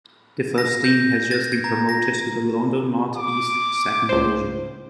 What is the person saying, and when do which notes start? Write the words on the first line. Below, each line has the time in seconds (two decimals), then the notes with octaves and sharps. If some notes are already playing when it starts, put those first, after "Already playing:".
The First Team has just been promoted to the London North East Second Division.
0.58 A#6
0.84 G6
1.31 A6
1.52 G#6
1.64 A#5
1.89 A#6
3.16 D6
4.09 C#2 C5